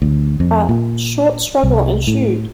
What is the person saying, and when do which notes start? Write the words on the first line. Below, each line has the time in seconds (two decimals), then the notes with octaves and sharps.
A "short struggle ensued".
0.02 D2
0.40 F2
0.69 A#2
1.63 C2
2.07 A2